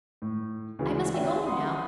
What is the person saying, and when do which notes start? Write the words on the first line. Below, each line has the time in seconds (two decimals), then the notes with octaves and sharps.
I must be going now.
0.22 A2
0.79 D2 C#3 E3 G#3
1.13 C#4 D4 F#4 E5 G5
1.46 F#5 B5 C6 D#6